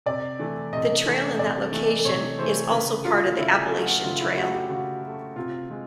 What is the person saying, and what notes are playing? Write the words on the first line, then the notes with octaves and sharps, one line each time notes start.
The trail in that location is also part of the Appalachian Trail.
C3 D5
E3 A3
C3 D#5
E3 A3
C3 D5
E3 A3
C3 C#5
E3 A3 C5
C#3 B4
F#3 A3 F4
C#3 E4
G#4
F#3 A3
F#4
C#3 F4
E4
F#3 A3 F#4
G4
C#3 F#4
F#3 A3
C3 F4
F3 G#3